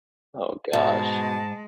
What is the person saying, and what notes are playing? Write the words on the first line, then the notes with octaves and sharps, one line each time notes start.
Oh, gosh.
G#2 B2 G#3 A5